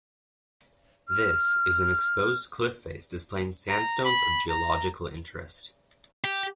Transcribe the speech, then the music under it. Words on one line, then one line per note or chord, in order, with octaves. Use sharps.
This is an exposed cliff face displaying sandstones of geological interest.
F6
A#5
B5
A#5
G4